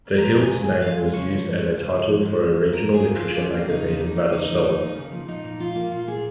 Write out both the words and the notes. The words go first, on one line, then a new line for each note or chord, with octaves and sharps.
The hill's name was used as a title for a regional literature magazine, "Radostowa".
F2 A#5
G#3 G#5
C#3
F3 G#5
F2 F5
G#3
C#3 C#5
F3
F2
G#3
C#3
F3
F2
G#3
C#3
F3
D#2 A#4
A#3
G#4
C#3
F4
F3
D#2 C#4
A#3
C#3 D#4
F3
D#2 D#4
A#3
C#3 D#4
F3
D#2 D#4
A#3
C#3 D#4
F3
A#2 D#4
A#2
F3 F4
A#3
A#2 F4
A#2 G#4